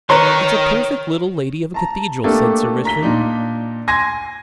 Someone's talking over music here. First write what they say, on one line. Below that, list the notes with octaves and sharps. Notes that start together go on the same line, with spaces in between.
"It's a perfect little lady of a cathedral," said Sir Richmond.
D#3 B4 C#5 A#5 C6
A5 A#5
A3 A#3 D4 G4 A4
A#5 B6 G7
A#2 D4 D#4
G#5 C6 G#6 A#6